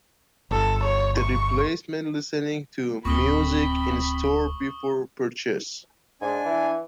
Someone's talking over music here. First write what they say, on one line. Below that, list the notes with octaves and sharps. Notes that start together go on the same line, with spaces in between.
This replaces listening to music in a store before purchase.
G1 A4
C#5
C#6
D1 C4 B5 C#6 D#6 G7
G#2 D4 G#5
E3